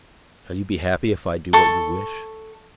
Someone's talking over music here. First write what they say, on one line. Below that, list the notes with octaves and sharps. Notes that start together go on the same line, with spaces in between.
"Shall you be happy if I do what you wish?"
A4 C#6